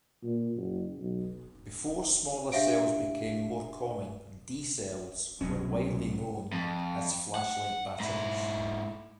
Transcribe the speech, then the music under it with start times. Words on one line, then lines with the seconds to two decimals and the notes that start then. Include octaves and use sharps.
Before smaller cells became more common, D cells were widely known as flashlight batteries.
0.23 A#2
0.56 F#1
0.99 B1
2.52 D4 G4 E5 F5 D7
5.41 C2 B2 F#3 C#4
6.53 F2
7.35 F#5
8.00 G#2 E4